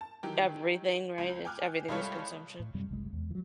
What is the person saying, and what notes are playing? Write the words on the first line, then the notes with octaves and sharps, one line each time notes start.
everything, right? It's everything is consumption.
A5
D#3 E3 F#3 G4
C#2
G5 G#5 D6 F6 F#6
C2 G3 G#3 F4 A4 C#5
A2
F#2 C3 G3
F#1 C2 G#3
E2
E3 F#3